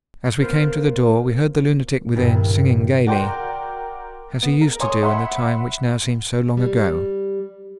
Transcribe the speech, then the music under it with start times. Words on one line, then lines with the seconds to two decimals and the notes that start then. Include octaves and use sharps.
As we came to the door we heard the lunatic within singing gaily, as he used to do in the time which now seems so long ago.
0.40 B3 F4 A#4 C5
2.15 C2 G2 A#2 D#3
3.07 F#4 A#4 D5 G5 C6
4.43 B3
4.61 A#4
4.80 C#5 G#5 C6 C#6 D#6
5.03 E5 F#5 B5 C6
6.57 G3